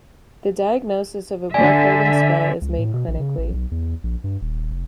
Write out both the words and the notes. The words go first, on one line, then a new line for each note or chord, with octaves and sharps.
The diagnosis of a breath-holding spell is made clinically.
D3 D5 E5 G#5
C#2
A2
B2
A#1
C#3
A1
B1
E2
A#1
G2
D#1
F1